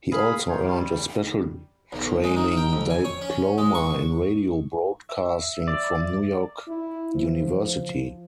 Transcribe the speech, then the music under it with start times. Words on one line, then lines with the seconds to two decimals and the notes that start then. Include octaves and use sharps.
He also earned a special training diploma in radio broadcasting from New York University.
0.12 G#4 F5 B5
0.49 D#4 F4 C#5
0.64 G3
1.92 B1
2.24 G#3
2.36 D#3
2.57 G5
2.73 F2
2.90 G#5
3.04 C#5
3.21 C#4
3.58 G#3
3.75 C#6
5.09 E5
5.68 D5
6.68 E4
7.15 F3